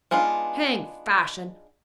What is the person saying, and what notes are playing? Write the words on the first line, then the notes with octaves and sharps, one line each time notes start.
'Hang fashion!
G#3 B3 D4 D#4 F4